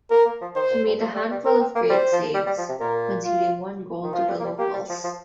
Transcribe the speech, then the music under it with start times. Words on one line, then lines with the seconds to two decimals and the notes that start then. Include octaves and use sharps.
He made a handful of great saves, conceding one goal to the locals.
0.10 A#3 A#4
0.25 A#3
0.41 F3
0.55 D#3 C5
0.70 A#2
0.86 G2
1.01 F3
1.15 G3
1.31 G3
1.45 C4 A#4
1.60 C4
1.75 A#3
1.90 G3 C5
2.12 F3
2.34 G3
2.46 G3
2.58 F3
2.69 C3
2.80 A#2 A#4
3.24 F4
4.03 D#3
4.14 F3 F4
4.28 G3
4.40 A#3
4.44 G3
4.58 A#3 G4
4.73 G3
4.89 F3
5.04 F3